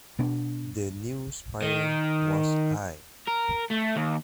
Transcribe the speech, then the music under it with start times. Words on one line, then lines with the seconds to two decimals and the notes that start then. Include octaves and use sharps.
The new spire was high.
0.19 B2 B3 D4
1.62 D#3
3.27 A#4
3.70 A3
3.96 D#2